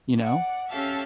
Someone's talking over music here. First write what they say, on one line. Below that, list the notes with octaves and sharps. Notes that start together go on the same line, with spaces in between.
you know?
D5 F#5
C#4 G4 A4 E5 F5 A5